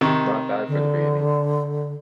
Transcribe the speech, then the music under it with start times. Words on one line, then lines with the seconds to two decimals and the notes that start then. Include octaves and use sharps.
Not bad for the beginning.
0.01 C3 D#3 C#6
0.68 D3